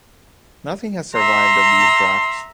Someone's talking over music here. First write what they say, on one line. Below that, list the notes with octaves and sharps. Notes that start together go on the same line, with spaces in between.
Nothing has survived of these drafts.
E5 A#5 C6